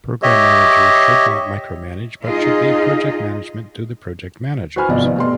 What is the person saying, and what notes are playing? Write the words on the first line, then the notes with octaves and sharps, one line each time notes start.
Program managers should not micromanage, but should leave project management to the project managers.
G4 C#5 D#5 E5
D#4 F4 G#4 D#5
F#4 B4 C5 G#5 B5 F6
G#1 E2 C3 F3 D5 D#5
F3 B3
B2 A3 G4 D5 C6